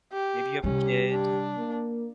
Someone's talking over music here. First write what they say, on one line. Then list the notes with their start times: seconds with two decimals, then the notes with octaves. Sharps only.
maybe you have a kid,
0.13 G4
0.64 C3 G3 C#4 G4
1.09 D4
1.56 A#3